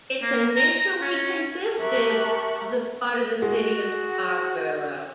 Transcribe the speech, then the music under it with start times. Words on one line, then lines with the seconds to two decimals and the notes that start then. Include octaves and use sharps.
It initially consisted of the part of the City of Scarborough.
0.22 A#3
0.56 A#5
1.01 C#4
1.79 G4 A#4 E5 A5 C#6 F#6
3.42 G#3 F#4